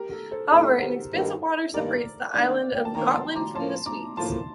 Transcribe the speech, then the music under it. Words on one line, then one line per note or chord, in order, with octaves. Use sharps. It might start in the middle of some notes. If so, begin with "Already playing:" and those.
However, an expanse of water separates the island of Gotland from the Swedes.
Already playing: G4 A#4
A4
A4 C5
A2 G3 C4 D#4 A4
C5
G4 A#4
G2 D#3 A#3 A4 C5
G2 D#3 A#3 A#4 D5
D#3 A#3 D4 D5 F5
G5
A5
D#3 A#3 D4 G5 A#5
A5 C6
A#5 D6
A2 F3 A#3 A5 C6
A#5 D6
A2 F3 A#3 A5 C6